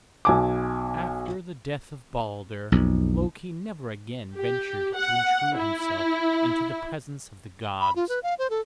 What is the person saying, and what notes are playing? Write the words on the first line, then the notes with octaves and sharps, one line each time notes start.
After the death of Baldur, Loki never again ventured to intrude himself into the presence of the gods.
B1 G#5 D6
B1 F2
G4
F#5
E4
B5
F4
B4
F5
C5
A4